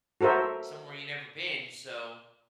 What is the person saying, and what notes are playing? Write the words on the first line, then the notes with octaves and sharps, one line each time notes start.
somewhere you never been, so
F#4 A4 A#4 C5 E5